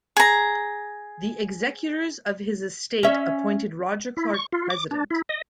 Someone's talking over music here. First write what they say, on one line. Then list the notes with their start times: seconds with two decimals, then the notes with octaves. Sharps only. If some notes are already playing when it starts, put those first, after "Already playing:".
The executors of his estate appointed Roger Clark president.
0.17 G#4 A#5
3.03 C#4 E5
4.17 E4
4.34 C#6
4.53 F4
4.70 D6
4.91 D4
5.10 E4
5.29 D#5